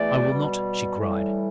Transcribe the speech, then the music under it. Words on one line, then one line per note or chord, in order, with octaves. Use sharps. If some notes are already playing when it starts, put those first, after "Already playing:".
"I will not!" she cried.
Already playing: E2 E3 A3 D5
B2 G3
A2 E3 G3